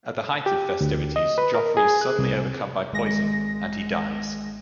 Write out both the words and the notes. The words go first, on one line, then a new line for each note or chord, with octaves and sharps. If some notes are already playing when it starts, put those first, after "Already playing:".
At the height of festivities Joffrey is suddenly overcome by poison, and he dies.
G4
D2
D#5
B4
A#4
G#4
F#6
C2
G#1 G#3 A#6